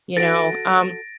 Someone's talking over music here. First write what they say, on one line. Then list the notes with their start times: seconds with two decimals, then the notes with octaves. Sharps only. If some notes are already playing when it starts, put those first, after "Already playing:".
you know, um,
0.17 F#4 A4 A6 A#6 D7